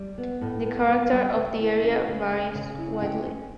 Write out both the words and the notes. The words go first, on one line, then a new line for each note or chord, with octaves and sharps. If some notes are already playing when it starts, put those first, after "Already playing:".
The character of the area varies widely.
Already playing: G3
B3
A2
B3
B3
G3 G5
C#3
E4
C#4
C#3
C#4
C#3
E4
F#5
C#4 G5
C#4